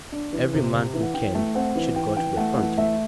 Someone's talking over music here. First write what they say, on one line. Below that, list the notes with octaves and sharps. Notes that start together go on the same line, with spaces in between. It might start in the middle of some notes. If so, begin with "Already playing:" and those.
"Every man who can, should go to the Front."
D4
E3
C3
C3
E3
F#5
E3 G5
A3
C4 F#5
E3
E3 G5
E3 G5
A3 F#5
E3 F#5
A3 E5